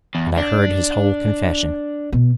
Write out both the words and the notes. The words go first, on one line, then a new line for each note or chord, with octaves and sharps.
And I heard his whole confession.
E2
D4
B2